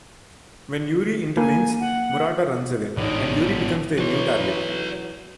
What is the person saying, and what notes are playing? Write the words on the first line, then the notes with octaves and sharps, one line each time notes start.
When Yuri intervenes, Murata runs away, and Yuri becomes their new target.
A#3 G#5
F#5
A1 G#2 B2 D4
E3 F#3 B4 C#5